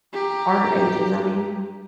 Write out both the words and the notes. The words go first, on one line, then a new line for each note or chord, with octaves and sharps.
our ages, I mean.
G4 A#5